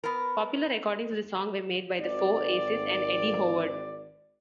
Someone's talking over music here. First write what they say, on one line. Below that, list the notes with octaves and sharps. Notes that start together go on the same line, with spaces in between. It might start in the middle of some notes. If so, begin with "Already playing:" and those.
Popular recordings of the song were made by The Four Aces and Eddy Howard.
B3 A#4
G#1 D5